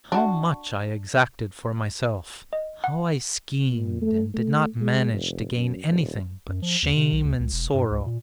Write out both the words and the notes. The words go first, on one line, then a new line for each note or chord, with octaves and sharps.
'How much I exacted for myself; how I schemed and did not manage to gain anything but shame and sorrow!
D4 F#4
D#5
F#5
A#2
A3
A3
G#3
F1
F#2
D#1
F#2
F3
D#2
C3
B1
D2
C#2
E1
G2
C#2
A#2